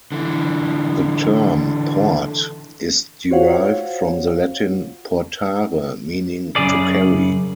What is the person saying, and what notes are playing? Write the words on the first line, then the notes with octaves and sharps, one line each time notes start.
The term "port" is derived from the Latin "portare", meaning "to carry".
D3 E3
F4 F#4 C5 C#5 F5 F#5
F#2 A#2 C#3 G#4 D5